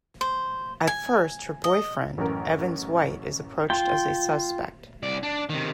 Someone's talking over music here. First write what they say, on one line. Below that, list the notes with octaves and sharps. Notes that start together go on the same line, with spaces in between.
At first, her boyfriend, Evans White is approached as a suspect.
C5
G#5
D#5
A1 F#2 A#4
F4 G5 C6
C2 D5
D4
C3 D#3